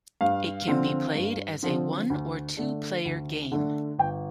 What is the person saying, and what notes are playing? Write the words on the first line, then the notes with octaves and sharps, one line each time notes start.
It can be played as a one or two player game.
G2 F5
D3 F3 C4
G2
D3 F3 C4
D2
D3 A3 D4
D2
D3 A3 D4
G1 G5